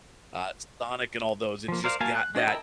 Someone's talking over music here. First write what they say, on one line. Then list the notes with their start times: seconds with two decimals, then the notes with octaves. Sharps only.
uh, Sonic and all those, it's just got that
1.68 F3 A#3
1.84 A#4 C5 D5 F5
2.00 A#3 F#4 F5 G#5 A5
2.15 F#6
2.35 G#3 D4 F#4 D5 D#5
2.48 E4 A#4 D#5 G5 A5